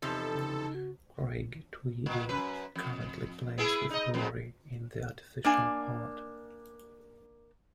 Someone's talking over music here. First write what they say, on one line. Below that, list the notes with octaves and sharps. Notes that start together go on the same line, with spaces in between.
Craig Tweedy currently plays with Rory in The Artificial Heart.
E2 C3 F3 D#4 A4
C#3
F#4
A#2
F#2 B4
F2
B3 E4 G#4
D#4 D#5
F2 G#2 B2
A#3 D4 G#5